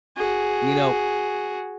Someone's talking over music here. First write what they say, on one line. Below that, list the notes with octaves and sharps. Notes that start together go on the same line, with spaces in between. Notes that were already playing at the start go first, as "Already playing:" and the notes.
you know,
F#4 G#4